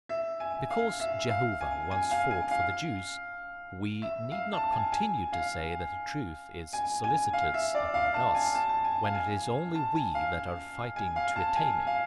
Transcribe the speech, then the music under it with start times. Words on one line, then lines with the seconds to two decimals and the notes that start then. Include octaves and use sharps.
Because Jehovah once fought for the Jews, we need not continue to say that the truth is solicitous about us, when it is only we that are fighting to attain it.
0.09 E5
0.40 G#5
0.70 F5
1.00 E5
1.30 F5
1.61 G#5
1.91 G#5
2.11 F5
2.31 G#5
2.51 F5
4.02 E5
4.32 F5
4.53 A5
4.73 G#5
4.92 G#5
5.33 F5
6.73 G#5
7.04 G#5
7.33 F5
7.54 E5
7.74 D5
7.94 F5
8.14 A5
8.35 G#5
8.55 A5
8.69 A5
8.84 G#5
9.04 F5
9.15 G#5
9.75 A5
9.95 G#5
10.15 F5
10.96 G#5
11.16 F5
11.36 A5
11.56 G#5
11.87 F5